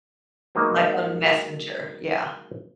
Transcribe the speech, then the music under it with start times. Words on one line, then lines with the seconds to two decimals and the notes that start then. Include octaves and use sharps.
Like, on Messenger. Yeah.
0.55 F#3 G#3 A#3 B3 D#4